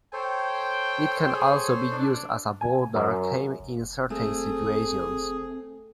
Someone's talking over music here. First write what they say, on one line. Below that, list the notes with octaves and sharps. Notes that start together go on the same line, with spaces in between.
It can also be used as a border came in certain situations.
A4 C5 C#5 G5
G#4
D4
G#5
F#2
F1
A3 C4 G#4